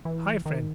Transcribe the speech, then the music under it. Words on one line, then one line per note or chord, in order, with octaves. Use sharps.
Hi, friend!
E3
D#3